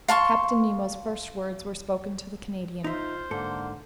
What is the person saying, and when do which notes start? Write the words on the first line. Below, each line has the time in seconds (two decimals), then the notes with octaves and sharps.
Captain Nemo's first words were spoken to the Canadian.
0.08 F5 A5 C6 C#6
2.84 D#4 F4 C5 E5
3.31 G#2 D3 A#3 A4